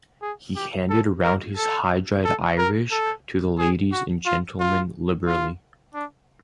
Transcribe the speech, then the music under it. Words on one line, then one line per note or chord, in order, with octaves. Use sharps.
He handed round his high-dried Irish to the ladies and gentlemen liberally.
G#4
G4
A4
A#4
A4
A4
A#4
A4
G#4
F#4
F4
F4
F4
D4